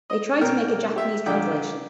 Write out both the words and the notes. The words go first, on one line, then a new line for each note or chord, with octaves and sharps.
They tried to make a Japanese translation.
D#5
B2 A#3 A#4 G5 F6
G4 E5
A#1 D3 D4 G5 D6